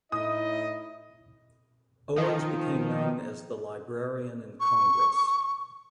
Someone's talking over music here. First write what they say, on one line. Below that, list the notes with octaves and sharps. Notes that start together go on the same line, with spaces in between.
Owens became known as The Librarian In Congress.
A2 D#4 E4 D#5 D#6
D#3 F3 D#4
C#6